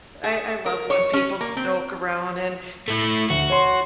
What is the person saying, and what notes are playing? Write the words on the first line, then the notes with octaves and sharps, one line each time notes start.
I I love when people joke around, and
G#4
A#4
C#5
C#4
A#3
C4
A3 E4
D2 F#4
C#5 C6